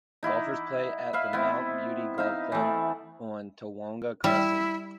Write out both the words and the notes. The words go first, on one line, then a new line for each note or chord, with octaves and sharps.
Golfers play at the Mount Beauty Golf Club on Tawonga Crescent.
D#4 E4 F#5 D6
B4 E5 F5
B3 C4 E4
D#4 E5 F5
E3 A3
G3 E4